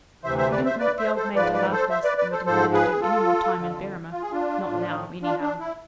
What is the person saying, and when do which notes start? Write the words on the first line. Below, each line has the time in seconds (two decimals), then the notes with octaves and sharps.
We didn't want the old man to laugh at us, and we didn't want to do any more time in Berrima--not now, anyhow.
0.23 D2 C3 E3 C5 E5
0.37 C5 E5
0.51 B4 D5
0.65 C5 E5
0.79 B4 D5
0.97 C5 E5
1.16 A4 C5
1.34 G#2 F3 B4 D5
1.53 B4 D5
1.72 A4 C5
1.90 C5 E5
2.03 B4 D5
2.18 B4 D5
2.32 A4 C5
2.46 G#2 F3 A4 C5
2.73 G#4 B4
2.91 G#4
3.01 F4 A4
3.57 F2 D3 F3
4.12 F4
4.22 G#4
4.31 D4 F4
4.67 A2 F3
5.22 D4 F4
5.41 D4
5.60 E4